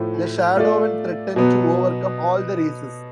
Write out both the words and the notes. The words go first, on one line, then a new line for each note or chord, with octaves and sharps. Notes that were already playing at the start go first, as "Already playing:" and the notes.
The Shadowen threaten to overcome all the Races.
Already playing: A2 F3 A3
A3 F4 A4 D5
B2 F#3 B3